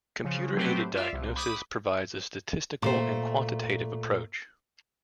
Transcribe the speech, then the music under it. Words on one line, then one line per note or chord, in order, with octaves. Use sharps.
Computer-aided diagnosis provides a statistical and quantitative approach.
C#3 F3
F#3 A3 C4 G4 B4 C5
F4 D5 E5 F5
C2
B5 D6 D#6
A#2 A3 C5